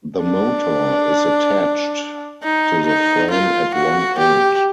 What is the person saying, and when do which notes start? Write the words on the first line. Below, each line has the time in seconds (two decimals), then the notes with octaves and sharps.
The motor is attached to the frame at one end.
0.24 D4
2.43 D#4
2.87 D#4
3.31 F4
3.75 F#4
4.19 G4